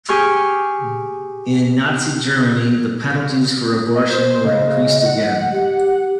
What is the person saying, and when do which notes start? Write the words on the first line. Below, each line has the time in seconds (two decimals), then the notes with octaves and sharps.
In Nazi Germany, the penalties for abortion were increased again.
0.09 G4 G#4 C#6 F6
3.95 D#5
4.10 C5
4.45 C#3 D#5
5.06 F#5
5.52 G4